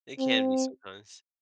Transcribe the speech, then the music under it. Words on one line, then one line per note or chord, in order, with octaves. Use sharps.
It can be sometimes.
C4